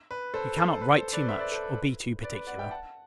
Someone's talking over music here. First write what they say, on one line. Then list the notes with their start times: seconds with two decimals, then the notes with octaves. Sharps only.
You cannot write too much, or be too particular.
0.11 B4
0.34 A4 C5
0.58 A4 C5
0.81 B4
0.97 A4 C5
1.13 B4 D5
1.28 C5 E5
1.40 B4 D5
1.52 A4 C5
1.64 B4
2.23 B4 D5
2.35 B4 D5
2.47 D5 F#5
2.58 E5 G5
2.71 F#5 A5